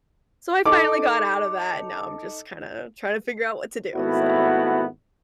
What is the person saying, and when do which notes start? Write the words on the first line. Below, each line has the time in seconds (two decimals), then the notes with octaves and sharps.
So I finally got out of that, and now I'm just kinda trying to figure out what to do. So
0.66 D#4 A4 D6
3.96 G#1 A3 B3 E4 F#4